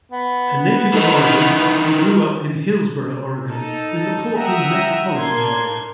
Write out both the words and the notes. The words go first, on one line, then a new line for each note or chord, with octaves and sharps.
A native of Oregon, he grew-up in Hillsboro, Oregon, in the Portland metropolitan area.
B3
D#3 E3 D#4
D#4 A4
E5 F#5 G5 A#5 D#6 E6
A#3 D4 C6 G#6